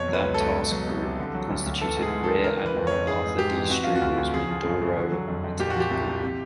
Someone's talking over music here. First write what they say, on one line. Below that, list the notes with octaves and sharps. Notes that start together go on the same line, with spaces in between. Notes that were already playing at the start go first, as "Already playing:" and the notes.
That task group constituted Rear Admiral Arthur D. Struble's Mindoro Attack Group.
Already playing: F2 B2 C#5
F#3 B4
C#2
A4
C#2
B2
F#3
C2
C2
D3
F#3
D2
D2
E3 A4
G#2
G#4
G#2
A4
E3
C#3 A#4
E3
B4
F2
F2 C#5
E3 G#4
G#2
G#2 G4
E3
C3 F#4
F3 F4
F#4
D2
D2
C#3 G#4
F3
F#2
F#2
D3
F#3
F2
F2
A#2 G4
F#4
F3 G4
C2
C2
C3